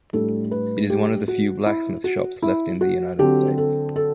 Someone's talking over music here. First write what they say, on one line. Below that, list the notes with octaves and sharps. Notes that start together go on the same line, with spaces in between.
It is one of the few blacksmith shops left in the United States.
A2 G3 D4 A4
B4
G4
F#4
E4
F#4
E4
F#4
D3 F#3 C4 G4
A4
A4